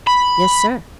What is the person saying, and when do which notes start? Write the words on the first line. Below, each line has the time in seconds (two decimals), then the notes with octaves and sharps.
"Yes, sir."
0.07 B5